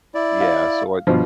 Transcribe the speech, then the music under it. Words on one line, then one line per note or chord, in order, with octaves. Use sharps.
yeah, so I
E4 D5
F5
G2 B2 F3